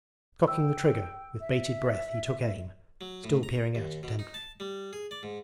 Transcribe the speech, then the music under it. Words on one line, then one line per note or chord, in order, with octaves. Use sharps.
Cocking the trigger, with bated breath he took aim, still peering out intently.
G5 E6
E5
F#3
A2
A#5
D#2
B2
D#4
A5
G3
G#4
D5
G#2